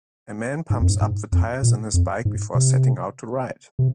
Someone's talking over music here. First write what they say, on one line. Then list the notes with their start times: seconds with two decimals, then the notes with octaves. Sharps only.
A man pumps up the tires in his bike before setting out to ride.
0.70 G#2
0.81 F2
0.90 G#2
1.01 G#2
1.32 F2
1.63 A#2
1.94 F2
2.25 G#2
2.55 C3
3.79 C3